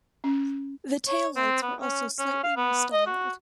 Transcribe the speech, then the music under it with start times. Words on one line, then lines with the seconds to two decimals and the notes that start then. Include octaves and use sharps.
The taillights were also slightly re-styled.
0.24 C#4
1.07 C#5
1.36 C4
1.62 B3
1.82 C#4
2.19 C#4
2.43 F5
2.57 B3
2.92 D#5
3.06 F#4